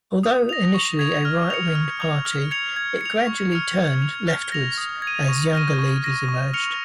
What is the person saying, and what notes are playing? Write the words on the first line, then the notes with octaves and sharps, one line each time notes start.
Although initially a right wing-party, it gradually turned leftwards as younger leaders emerged.
D#6
A#6 F7
C#6
G#6 F7
F6
C#7 F7
F6
G#6 F7
F6
G#6 C#7 F7
G#6
C#7 F7
C#6
F6 C#7 F7
G#6
F7
F6
A#6 F7
D#6
G#6
D#7
C#6
F6 A#6 D#7
C#6
A#6 D#7
C#6
F6 C#7 F7